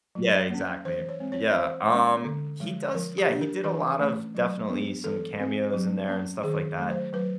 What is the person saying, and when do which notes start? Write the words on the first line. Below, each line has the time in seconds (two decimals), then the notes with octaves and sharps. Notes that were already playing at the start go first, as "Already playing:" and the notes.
Yeah, exactly. Yeah, um, he does Yeah, he did a lot of definitely some cameos in there and stuff like that,
0.15 F#3
0.50 A#3 C#4
0.85 E3 C5
1.09 C#5
1.20 G#3 C4
1.32 C#5
1.55 E3 C5
1.90 G#3 C#4
2.25 D3
2.60 F3 G#3
2.94 F3 A#4
3.18 G4
3.29 A#3 D4
3.41 A#4
3.64 E3 B4
3.99 A3 C#4
4.35 F#3
4.69 B3 D4
5.04 E3 A4
5.39 G#3 C4
5.74 F#3
6.08 A#3 C#4
6.43 D#3 G#4
6.78 F#3 A3
6.90 C5
7.13 F#3 B4